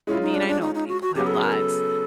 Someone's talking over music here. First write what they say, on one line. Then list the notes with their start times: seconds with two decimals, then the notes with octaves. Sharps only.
I mean, I know people have lives,
0.07 G#3 C#4 E4 F4
0.22 D#4
0.34 D4
0.48 D4
0.62 D#4
0.75 D#4
0.89 F#4
1.02 F#4
1.15 C#3 F#3 B3 G4
1.27 A4
1.34 G#4
1.43 A#4
1.52 A4